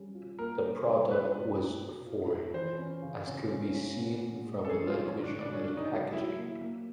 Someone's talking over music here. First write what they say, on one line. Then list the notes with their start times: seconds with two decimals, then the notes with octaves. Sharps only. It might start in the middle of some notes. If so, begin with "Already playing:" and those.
The product was foreign, as could be seen from the language on the packaging.
Already playing: G3 C#4
0.15 F4
0.39 A#3 A#4
0.62 G3
0.87 G3
1.10 F4 B4
1.35 B2
1.59 C4
1.83 B2
2.06 F4
2.31 F4
2.54 E3 C5
2.78 C#4
3.02 C#3
3.26 C#4
3.50 C#4
3.74 C#4
3.98 B3
4.22 B3
4.45 G#3
4.65 A4
4.69 F3 G#4
4.87 F4
4.93 F3
5.05 C#4
5.17 D3
5.23 D4
5.41 F#3 D4
5.52 C#4
5.64 C#3 D4
5.77 D#4
5.89 F#3
6.13 F#3 E4
6.37 A#3
6.61 A#3